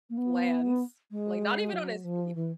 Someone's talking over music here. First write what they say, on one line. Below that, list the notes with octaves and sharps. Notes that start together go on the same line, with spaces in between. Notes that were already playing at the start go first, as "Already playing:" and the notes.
lands, like, not even on his feet,
A#3
B3
G#3
F#3
F3
E3